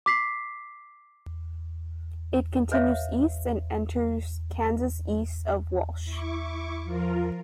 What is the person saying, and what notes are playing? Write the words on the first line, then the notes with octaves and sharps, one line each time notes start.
It continues east and enters Kansas east of Walsh.
D6 B6 C7
B4 C#5 E5 F5
E4 C#6 D6
F3 F4 A#4